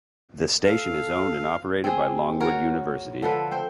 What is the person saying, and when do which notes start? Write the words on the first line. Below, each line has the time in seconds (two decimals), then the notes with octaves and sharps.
The station is owned and operated by Longwood University.
0.64 A4 F5
1.84 C4 G#4
2.40 F#4 A#4 C#5
3.22 D3 F3 A4 B4
3.51 C4 C5